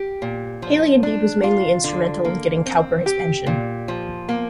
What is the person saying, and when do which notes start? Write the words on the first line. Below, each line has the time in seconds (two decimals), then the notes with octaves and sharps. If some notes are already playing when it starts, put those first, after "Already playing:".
Hayley indeed was mainly instrumental in getting Cowper his pension.
Already playing: G4
0.22 A#2
0.62 F3
1.03 D4
1.44 F4
1.84 D3
2.25 A#3
2.66 C4
3.06 G4
3.46 A#2
3.88 F3
4.29 A#3